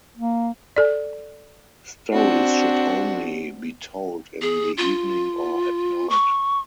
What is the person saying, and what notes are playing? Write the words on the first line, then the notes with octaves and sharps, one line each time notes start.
Stories should only be told in the evening or at night.
A#3
A4 D5
C4 D4 F#4
G#4
F4
C#6